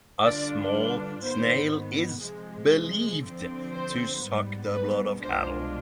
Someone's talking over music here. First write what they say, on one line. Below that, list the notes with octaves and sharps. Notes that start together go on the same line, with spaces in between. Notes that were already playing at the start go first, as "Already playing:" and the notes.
A small snail is believed to suck the blood of cattle.
D3 G3 D4 F4 D5
B4
G#2 D#3 B3 C5
C3 F3 G#3
D3 F3 C4
C5
G#2 G3 B3
B4
C2 B2 G#3 D4 F4 C5